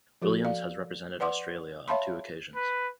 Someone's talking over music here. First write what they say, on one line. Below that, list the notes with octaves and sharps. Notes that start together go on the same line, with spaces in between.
Williams has represented Australia on two occasions.
F3 F#4 A4
D5 F5
B4 D5 F#5 C6 D6
C#5 E5 F5 A5 B5 C6
B4